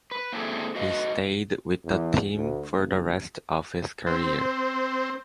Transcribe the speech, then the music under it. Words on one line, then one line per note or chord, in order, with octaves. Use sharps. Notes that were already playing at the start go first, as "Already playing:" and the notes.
He stayed with the team for the rest of his career.
B4
A#3 C4 D4 E4 G#4 A4
F#4 B4 D#5 F5
E2
D2
F#1
C4